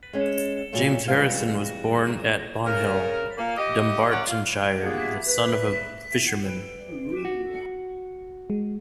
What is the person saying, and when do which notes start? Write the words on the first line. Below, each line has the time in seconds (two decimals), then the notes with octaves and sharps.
James Harrison was born at Bonhill, Dunbartonshire, the son of a fisherman.
0.13 G#3 C#4
0.72 A#2 F#3 G#3 A3
1.08 F2 E3 G3 G#3 A#3 F5
2.65 C#3 A#4
3.38 A#2 A#3
3.57 G4 D#5
4.11 F#3 C#4 D5 F#5
4.26 F4
4.83 A#3 B3 D4 F4 G4 G#4
5.26 B4
7.25 F#4
8.50 G#3